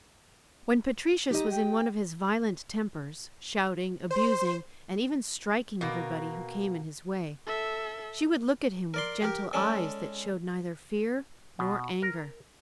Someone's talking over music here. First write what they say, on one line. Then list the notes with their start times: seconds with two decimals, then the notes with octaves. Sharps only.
When Patricius was in one of his violent tempers, shouting, abusing, and even striking everybody who came in his way, she would look at him with gentle eyes that showed neither fear nor anger.
1.31 D#4 G4 D#5
1.50 G5
4.11 C5 C6
5.81 B2 A#3
7.47 A4 E5
8.94 A#4 D5 C6
9.22 G4 A#4
9.53 G#3 C#4 A4 D5
11.59 B2
12.02 A#4